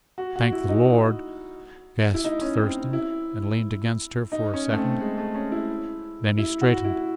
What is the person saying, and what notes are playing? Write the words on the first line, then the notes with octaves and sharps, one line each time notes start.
"Thank the Lord!" gasped Thurston, and leaned against her for a second. Then he straightened.
F#4
F#4
E4
D#4
E4
D#4
C#4
C4
E4
D#4
C#4
A3
C4
G#3
A3
C#4
E4
E4
F#4
E4